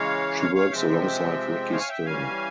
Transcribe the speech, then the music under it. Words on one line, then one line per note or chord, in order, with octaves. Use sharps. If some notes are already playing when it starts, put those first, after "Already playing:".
She works alongside Ricki Stern.
Already playing: C#3 E3 G#3 C#5 F5
C#5 F5
C#5 F5
C3 F3 G#3 C4 E5 G5
C#5 F5
G#5
E5 G5
E3 G3 C#4 F5 G#5